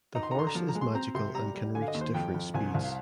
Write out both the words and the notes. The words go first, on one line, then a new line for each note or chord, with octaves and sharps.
The horse is magical and can reach different speeds.
D#4 A#5
C6
A#5
D3 C6
A#5
F3
A#5
G#3
C6
C4 A#5
C3 C6
G3 A#5
G3
D3 G#5
F5
D#5
D#2
C5
F2 G5
F2
C2 G#5
C2
F5